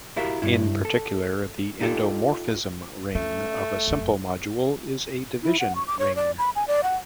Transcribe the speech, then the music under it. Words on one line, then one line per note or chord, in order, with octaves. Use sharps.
In particular, the endomorphism ring of a simple module is a division ring.
E4 F#4 G4 A#4 E5 F5
G2 E4
A4
D#4 F4 G4 A4
A3 C#4
F1 F#2
E4
F#5
C#6
D6
C#5
D5
B5
G#5
D5
F#5